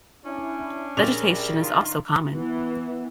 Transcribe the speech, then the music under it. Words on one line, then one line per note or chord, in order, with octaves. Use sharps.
Vegetation is also common.
C#4 D4 E4
A#1 G3 G#4 A#4 D5 F7
D#3 F4
E3 B3